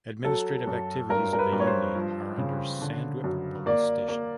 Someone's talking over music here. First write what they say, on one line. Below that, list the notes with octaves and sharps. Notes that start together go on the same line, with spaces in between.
Administrative activities of the union are under Sandwip police station.
F#3 A4
F#2
G2 A#4
A#4
B4
G2
C#5
C5
F3
C#3
D3
F#2
A#3 D5
A#3